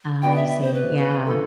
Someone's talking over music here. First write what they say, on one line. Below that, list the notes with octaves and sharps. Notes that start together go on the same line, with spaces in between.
I see. Yeah.
B2 B3 D4 G5
E5
E5
C5
B4
B4
D3 F3 A4